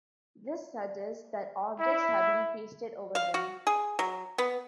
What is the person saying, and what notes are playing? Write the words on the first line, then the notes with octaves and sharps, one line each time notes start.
This suggests that objects have been "pasted" over them.
E4
F5
F#4
G#4
F#3
B3